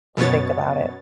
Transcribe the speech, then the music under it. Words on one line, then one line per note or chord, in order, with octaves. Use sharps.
to think about it.
F#2 B2 B3 C#5 A6